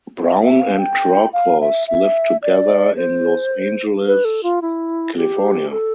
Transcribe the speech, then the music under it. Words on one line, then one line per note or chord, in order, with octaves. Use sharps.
Brown and Crokos lived together in Los Angeles, California.
E5
E5
F5
G5
F5
E5
E5
D5
C5
B4
A4
F4
E4
G4
A4